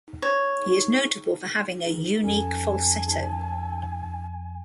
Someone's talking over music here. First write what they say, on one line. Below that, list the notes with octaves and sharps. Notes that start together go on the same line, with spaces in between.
He is notable for having a unique falsetto.
C#5
F2 C#4 A4 G#5